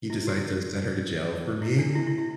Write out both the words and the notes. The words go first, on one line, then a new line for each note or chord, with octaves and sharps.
he decided to send her to jail, for me,
E4
F#4
E4
D4
E4
E4
E4